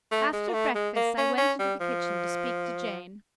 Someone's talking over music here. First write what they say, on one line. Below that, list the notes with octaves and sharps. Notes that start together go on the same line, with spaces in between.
After breakfast, I went into the kitchen to speak to Jane.
A3
G#3
A#3
A3
G#3
A#3
C#4
C#4
G3
F3